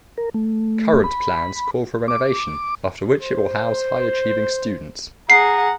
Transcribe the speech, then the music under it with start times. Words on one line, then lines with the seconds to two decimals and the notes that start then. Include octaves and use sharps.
Current plans call for renovation after which it will house high achieving students.
0.17 A#4
0.34 A3
1.04 B5
2.08 D6
3.21 C5
5.30 G#4 F#5 A#5 C7